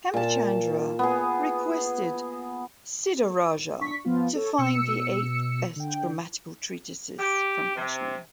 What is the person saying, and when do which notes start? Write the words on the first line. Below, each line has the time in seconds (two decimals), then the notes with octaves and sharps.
Hemachandra requested Siddharaja to find the eight best grammatical treatises from Kashmir.
0.14 A#2 A5
0.99 B3 G#4
3.80 D4 C#6 B6
4.05 F3 B3 F4
4.35 A4 C#5
4.58 B2 E6 C#7
5.76 D3 G5
7.19 G4
7.76 C3